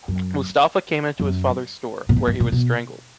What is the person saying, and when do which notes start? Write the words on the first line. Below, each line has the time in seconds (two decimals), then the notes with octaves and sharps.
Mustafa came into his father’s store, where he was strangled.
0.08 F#2
1.20 F#2
2.09 A#2
2.16 G#2
2.28 G#2
2.40 A#2
2.52 B2